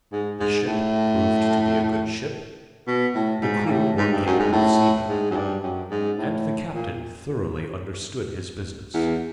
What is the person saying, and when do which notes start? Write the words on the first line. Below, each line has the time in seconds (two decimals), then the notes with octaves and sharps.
The ship proved to be a good ship, the crew were capable seamen, and the captain thoroughly understood his business.
0.12 G#2
0.40 G#2
0.67 A2
2.87 B2
3.15 A2
3.42 G#2
3.66 A#2
3.70 A2
3.98 G#2
4.12 G2
4.26 F#2
4.39 G#2
4.52 A2
5.08 G#2
5.31 F#2
5.36 G2
5.63 F#2
5.91 G#2
6.18 A2
6.74 A#2
8.94 E2